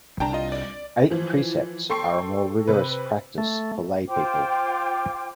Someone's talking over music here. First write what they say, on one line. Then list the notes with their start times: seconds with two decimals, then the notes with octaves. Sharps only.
Eight Precepts are a more rigorous practice for laypeople.
0.20 C2 D4 G5 A5 A#5
0.33 F4 D#5
0.52 D5
1.10 E3 F3
1.90 A4 G5 C6 C#6 C7
2.67 C3 B4
3.38 A3
4.08 F4 C5 G5 D6